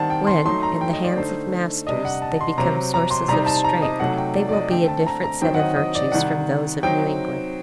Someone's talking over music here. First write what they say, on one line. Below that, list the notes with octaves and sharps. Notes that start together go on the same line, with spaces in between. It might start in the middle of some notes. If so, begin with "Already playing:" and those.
When, in the hands of masters, they become sources of strength, they will be a different set of virtues from those of New England.
Already playing: D#3 G3 C4 F#5 A5
G5
C6
F#3 A3 D#4 C6
A#5
G5
D#5
D5
D3 A3 D#4 C5
C3 G3 D4 D#5
F#5
A5
C6
C3 F#3 C4 A#5
A#5
C6
C3 G3 C4 D#4 A#5
A5
A#5
D#5
C3 F#3 A3 D#4 F#5
G5
D5
D5
D#5
D3 A3 C4 G5
G5
A5
A#5
A#5
D#3 F#3 C4 D#4 G5
F#5
D#5
D#5
D5
C3 D#3 G3 F#5
F#3 C4 D#4 G5